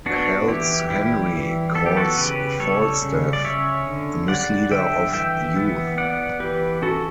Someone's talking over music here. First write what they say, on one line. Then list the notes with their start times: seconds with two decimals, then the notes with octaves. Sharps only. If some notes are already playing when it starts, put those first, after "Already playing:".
Hal's Henry calls Falstaff a misleader of youth.
0.06 B3 D4 F#4
0.48 E3 E4 G4
0.90 G3 E4 G4
1.33 E3
1.75 B3 A4
1.86 G4
1.97 F#4 A4
2.17 C#3 G4 B4
2.59 G3 A4 C#5
3.02 C#3
3.33 D5
3.44 C#4 C#5 E5
3.87 D3
4.28 G3 D5 F#5
4.71 D3 E5 G5
5.13 E3 E5 G5
5.56 B3
5.97 B3 D5 F#5
6.40 E3 G4 B4
6.82 C#4 F#4 A4